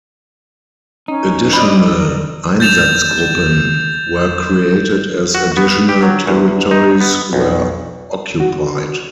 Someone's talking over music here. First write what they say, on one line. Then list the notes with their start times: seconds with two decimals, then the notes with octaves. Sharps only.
Additional "Einsatzgruppen" were created as additional territories were occupied.
1.08 C#4 D#4
1.52 C5 D5 D#5 B5
2.60 G6 A6 E7 F7
5.35 F#4
5.57 B3
5.89 G4
6.03 F#3
6.27 E2
6.71 D#4
7.00 B3
7.33 B1
8.40 F#4